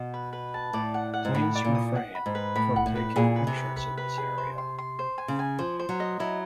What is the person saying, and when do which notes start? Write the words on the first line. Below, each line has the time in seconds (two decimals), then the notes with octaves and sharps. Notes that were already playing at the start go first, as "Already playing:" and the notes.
Please refrain from taking pictures in this area.
Already playing: B2
0.14 B4
0.33 B4
0.54 A5
0.73 A2 D5
0.94 F#5
1.14 F#5
1.25 G#2
1.35 A2 B5
1.55 D5
1.65 A#2
1.75 D#6
1.96 F#5
2.15 B5
2.26 G#2
2.35 B4
2.55 A2 B5
2.76 F#5
2.86 A2
2.95 B4
3.16 A#2 G#4
3.36 B4
3.47 C3
3.56 B4
3.76 B4
3.97 B4
4.18 G#4
4.38 C5
4.58 C6
4.78 C6
4.99 C5
5.18 G#5
5.28 C#3
5.39 G#5
5.59 F3 C5
5.79 C5
5.89 F#3
6.00 D#5
6.20 F#3 E4